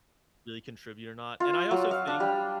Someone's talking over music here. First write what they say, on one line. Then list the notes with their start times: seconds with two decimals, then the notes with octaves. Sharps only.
really contribute or not, and I also think,
1.40 F4
1.71 F#3
1.91 F5
2.07 D4
2.20 G3